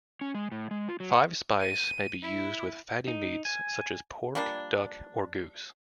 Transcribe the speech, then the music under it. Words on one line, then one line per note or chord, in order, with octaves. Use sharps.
Five spice may be used with fatty meats such as pork, duck or goose.
C#4
G#3
A2
G#3
F4
F#3
F#5
D#7
E4
D#4
G#5
F3 G3 A#3 D4